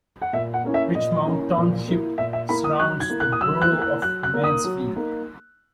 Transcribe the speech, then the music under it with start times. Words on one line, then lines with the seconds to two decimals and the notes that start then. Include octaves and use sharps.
Richmond Township surrounds the borough of Mansfield.
0.22 F#5
0.33 A#2 E5
0.54 F#5
0.64 A#3 C#4 E4
0.74 E5
0.95 A#2 D#5
1.26 A#3 C#4 E4
1.56 A#2
1.87 A#3 E4
2.18 A#2 E5
2.33 E5
2.49 A#3 E4 B5
2.64 D#6
2.79 F#3 F#6
3.00 G#6
3.10 A#3 E4
3.20 F#6
3.32 D#6
3.41 F#3 E6
3.62 F#6
3.72 A#3 E4
3.82 F#6
4.02 F#3 F#6
4.23 F#6
4.34 A#3 D#4
4.44 D#6
4.64 F#3
4.95 A#3 D#4